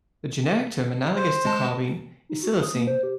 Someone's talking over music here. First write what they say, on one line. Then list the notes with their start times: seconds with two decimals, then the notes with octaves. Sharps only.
The generic term analogous to carbene is silicene.
1.16 C5
1.45 G#3 A5
2.29 D#4
2.43 F#4
2.62 D#6
2.75 A#3
2.87 C5
3.03 G4